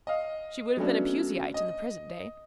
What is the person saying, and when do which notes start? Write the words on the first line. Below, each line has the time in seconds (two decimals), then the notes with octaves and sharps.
She would have been a Puseyite in the present day.
0.07 D#5 F5
0.77 F#3 A3 B3 C#4 D4
1.54 D#5